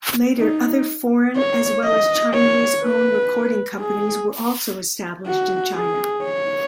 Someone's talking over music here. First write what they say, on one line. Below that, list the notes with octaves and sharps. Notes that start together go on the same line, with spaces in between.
Later other foreign as well as Chinese-own recording companies were also established in China.
D#4
C#5
D#5
C#5
B4
G#4
F#4
G#4
C#5